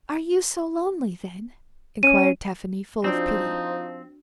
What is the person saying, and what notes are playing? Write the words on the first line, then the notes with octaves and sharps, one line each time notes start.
'Are you so lonely, then?' inquired Tephany, full of pity.
C#4 D#7
F3 C4 D4 D#4 F#4 D5